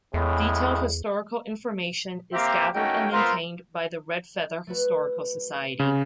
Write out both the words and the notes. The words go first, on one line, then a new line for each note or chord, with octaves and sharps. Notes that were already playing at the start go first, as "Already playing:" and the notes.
Detailed historical information is gathered and maintained by the Red Feather Historical Society.
E2 A2 C#3 G#3
A#3 C4 G4 E5 F5 A#5
A3 A#3 C#4 D#4 F#4 G5
B3 F4 A#4 C5 E5 F5
A3 F#4 B4
C#3 C6 D#6 C7